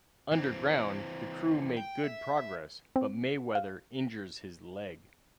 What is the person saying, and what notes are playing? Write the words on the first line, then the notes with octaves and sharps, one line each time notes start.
Underground, the crew make good progress, but Mayweather injures his leg.
E3 C4
G5
E5
C4
F5